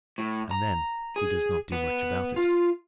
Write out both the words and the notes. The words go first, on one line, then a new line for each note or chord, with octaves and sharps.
And then he does not do much about it.
A2
A#5
G#4
B3
F4